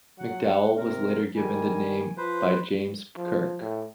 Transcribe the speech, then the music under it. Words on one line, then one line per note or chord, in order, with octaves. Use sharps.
McDowall was later given the name by James Kirk.
F#3 F#5
C3 A#4
D#3 G3 G#5
F3 B4 C5
F3
A2